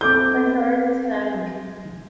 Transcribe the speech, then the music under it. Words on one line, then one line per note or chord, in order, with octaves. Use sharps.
My heart sank.
C4 A4 D6 G6